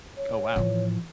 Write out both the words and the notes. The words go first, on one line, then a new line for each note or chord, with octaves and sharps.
Oh, wow.
C#5
A2 E3 F3